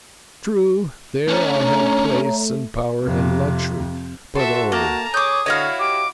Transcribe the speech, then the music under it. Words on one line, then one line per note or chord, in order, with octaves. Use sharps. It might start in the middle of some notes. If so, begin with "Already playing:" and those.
True, there I had place and power and luxury, but oh!
A3 C#4 D4 C#5 A#5
F2 C3
F#4 A4 E5 C6
A#3 A5 A#5
G#4 C#5 D6 D#6 G6
D3 E4 F#4 C#5 D#5 F5
G4 D6